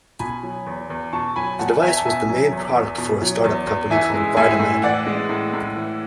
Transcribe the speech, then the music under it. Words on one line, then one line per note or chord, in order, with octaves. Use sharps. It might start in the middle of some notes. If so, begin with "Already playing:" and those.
The device was the main product for a startup company called Vidamed.
B2 G#5 B5
F#3
E2
E2
B2 A5 C#6
F#3 G#5 B5
E2 F#5 A5
E2 E5 G#5
A5
B2 E5 G#5
F#3
E2
E2
B2
F#3
E2
E2
E3 E5 G#5
G#3
A2 E5 G#5
A2
E3 D5 F#5
G#3
A2
A2
E3